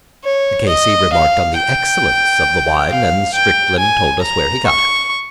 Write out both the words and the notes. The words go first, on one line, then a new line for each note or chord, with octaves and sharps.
The K.C. remarked on the excellence of the wine, and Strickland told us where he got it.
C#5
D#5
F5
G5
F5
G5
G#5
A#5
C#6